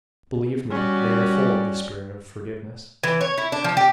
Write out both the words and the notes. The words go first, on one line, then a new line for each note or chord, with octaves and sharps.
Believe me, they are full of the spirit of forgiveness.
G3 C#4 F#4 D5
E3
C#5
E4
D4
F3
G4